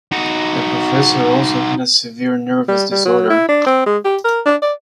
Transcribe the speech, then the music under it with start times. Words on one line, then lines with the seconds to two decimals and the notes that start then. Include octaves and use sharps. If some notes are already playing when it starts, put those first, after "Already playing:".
The professor also had a severe nervous disorder.
0.12 D#4 F#4
2.68 G3
2.91 G3
3.05 F#3
3.30 E4
3.49 D4
3.66 C4
3.86 G#3
4.05 G4
4.24 A#4
4.46 D4
4.62 D5